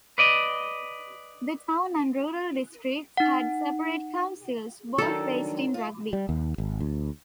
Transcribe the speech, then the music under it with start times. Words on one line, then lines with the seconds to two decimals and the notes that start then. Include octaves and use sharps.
The town and rural district had separate councils, both based in Rugby.
0.18 B4 D5 D#5
3.17 D#4 F#5
4.98 D#3 F#3 D4 A4
5.74 F4
6.13 G3
6.29 D#2
6.58 G#1
6.80 D2